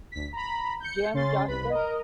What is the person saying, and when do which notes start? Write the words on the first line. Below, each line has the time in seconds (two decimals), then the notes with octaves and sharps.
Jim Justice.
0.12 D2 B6
0.33 A#5 B5
0.80 G6 C#7
1.14 C#3 C#4 C6 A6
1.48 C2 B4 B5
1.70 A#4 D#5